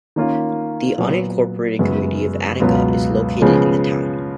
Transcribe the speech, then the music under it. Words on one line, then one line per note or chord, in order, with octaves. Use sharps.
The unincorporated community of Attica is located in the town.
D#3 A#3 C#4 F4
A#2 F#3 B3
F#2 C#3 G#3 B3
C#2 B2 F#3 B3 F4
C#3 F3 G#3 B3